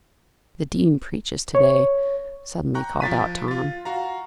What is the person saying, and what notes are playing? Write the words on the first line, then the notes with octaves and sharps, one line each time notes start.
"The dean preaches to-day," suddenly called out Tom.
C#5
G5 A#5 C#6 F#6
F3 A6 B6 D#7
F4 A6
F#4 F5 A#5